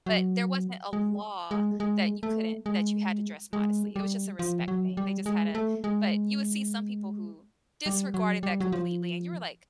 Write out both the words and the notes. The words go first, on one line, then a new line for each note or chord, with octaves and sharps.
But there wasn't a law that you couldn't that you had to dress modestly. It was just a respect thing. They just had a but you would see some people who disregarded that completely, and you were like,
F#3
G#3
G#3
G#3
A3
G#3
G#3
G3
F3
F#3
G3
G#3
A3
G#3
G3
F#3
G3
F#3
F3